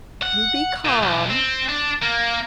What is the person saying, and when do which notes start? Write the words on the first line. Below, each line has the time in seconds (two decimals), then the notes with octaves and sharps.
you be calm,
0.22 F#5
0.85 A#2
1.02 B1
1.30 C4
1.69 D4
2.03 A#3